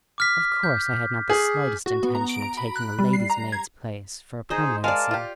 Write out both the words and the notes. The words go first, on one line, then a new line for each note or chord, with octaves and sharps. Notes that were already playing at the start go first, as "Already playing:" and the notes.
Of course, I had not the slightest intention of taking a lady's-maid's place for a permanency.
D6 F6 B6
G6
G#4
F#4
B3
A#5
D7
A#5
B5
F#6
G3
C7
A#5
G#6
D#4 G#4 C5 D#5
G#3 A#4 D5 F5 A5
F4 G4